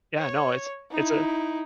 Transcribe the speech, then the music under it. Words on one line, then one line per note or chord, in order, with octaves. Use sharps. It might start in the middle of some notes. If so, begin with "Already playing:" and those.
yeah, no, it's it's a
C#5
D#4 E4